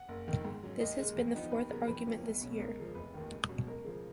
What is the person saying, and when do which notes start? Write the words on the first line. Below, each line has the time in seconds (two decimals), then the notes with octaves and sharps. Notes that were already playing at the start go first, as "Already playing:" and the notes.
This has been the fourth augment in a year.
Already playing: F#5
0.08 F#1
0.28 F2 D#3
0.45 G#2
0.63 F#3 C#4
0.80 D#2 D#5
0.98 C#3 G#3
1.16 F2
1.35 F3 B3 D#4
1.52 D#2 B4
1.70 C#3 F#3 B3 A#4
1.88 F2 B4
2.06 F3 A#3 C#4
2.24 B1
2.41 B2 F#3 C#4
2.60 C#2 A#4
2.78 C#3 F3
2.95 F1 B4
3.14 D#2 D#3
3.32 C#2
3.49 B2 F#3 C#4
3.67 C#2 A#4
3.85 C#3 F3